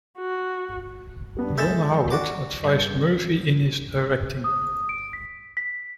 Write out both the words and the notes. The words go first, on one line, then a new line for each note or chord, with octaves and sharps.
Ron Howard advised Murphy in his directing.
F#4
G3 B3 D4
G#3 A4 E5 G6 A6 E7
D4 F#4 D6
G2 G6
D#6
D7
B6
B6